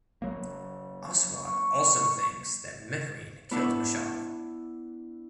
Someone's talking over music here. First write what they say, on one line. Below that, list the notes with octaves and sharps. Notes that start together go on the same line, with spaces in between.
Aswad also thinks that Mehreen killed Mashal.
F#3 A#3
C#6
B3 D4 E4